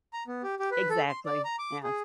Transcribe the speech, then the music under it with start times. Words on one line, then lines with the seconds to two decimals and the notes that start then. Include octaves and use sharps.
Exactly, yes.
0.13 A#5
0.27 B3
0.43 G4
0.60 G4
0.71 B4
0.90 A4
1.09 C6
1.26 D5
1.45 A#5
1.59 D6
1.84 G#4